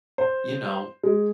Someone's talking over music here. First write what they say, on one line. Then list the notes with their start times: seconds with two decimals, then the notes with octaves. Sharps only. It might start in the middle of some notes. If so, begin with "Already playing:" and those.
you know,
0.18 C5
1.03 G#3